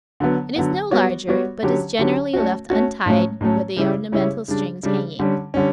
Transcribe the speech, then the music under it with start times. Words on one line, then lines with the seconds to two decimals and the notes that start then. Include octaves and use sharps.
It is no larger, but is generally left untied with the ornamental strings hanging.
0.20 D3 F#3 B3
0.56 D3 F#3 B3
0.91 G3 B3 F#4 C#5
1.27 G3 B3 F#4 C#5
1.63 D3 F#3 C#4 G4
1.99 D3 F#3 C#4 G4
2.33 A3 C#4 F#4
2.70 A3 C#4 F#4
3.06 A2 F#3 A3 C#4
3.41 A2 F#3 A3 C#4
3.76 C#3 G3 C#4 E4
4.12 C#3 G3 C#4 E4
4.48 C#3 G3 D4
4.83 C#3 G3 D4
5.19 D3 G3 C#4
5.54 D3 G3 C#4